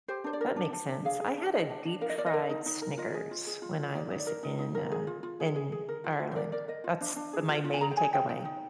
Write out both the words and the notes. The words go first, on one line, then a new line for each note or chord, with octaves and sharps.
that makes sense. I had a deep-fried Snickers when I was in, uh, in Ireland. That's the my main takeaway.
G4 C5
D4 C5
D5
A#4
D4
D4
D4
G#4 F5
G#4
D4
G#4 D#5
D4
D4
A#4 F5
D#5
A#4 D5
D#5
A#4
D#4
D#4
A#4
F4 D#5
G#4
F4
G#4
F4
F4
D#4 D5
D#4
D5
A#4
D#4
D#4
A#4
G#4
F4
F4
G#4
G#4
G#4
A#4
F4
F4
C5
A#4 D5
A#4 D5
A#4 D#5
F4
D4
D4
G#4
F4
F4
G#5
G#4 A#5
G5
G#4 G#5
G#4 G5
D#4 G5
D#4